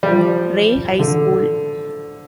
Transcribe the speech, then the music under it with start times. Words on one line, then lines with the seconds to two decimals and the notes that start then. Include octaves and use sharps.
Ray High School.
0.03 G3
0.08 F3
0.99 D3